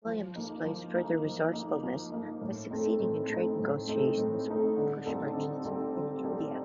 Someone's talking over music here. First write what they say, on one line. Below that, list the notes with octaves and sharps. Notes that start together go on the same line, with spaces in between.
William displays further resourcefulness by succeeding in trade negotiations with English merchants in India.
F3
A#3 D#4
F3
A#3 D#4
F3
A#3 D#4
F3
A#3 D#4
A2
A3 C4 D#4
A2
A3 C4 D#4
A2
A3 C4 D#4
A2
A3 C4 D#4
D3
G3 C4 D#4 A4
D3
G3 C4 D#4 A4
D3
G3 C4 D#4 A4